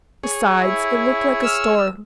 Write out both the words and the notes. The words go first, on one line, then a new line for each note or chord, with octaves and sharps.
Besides, it looked like a storm.
G#4 C#5
E4
E6 F6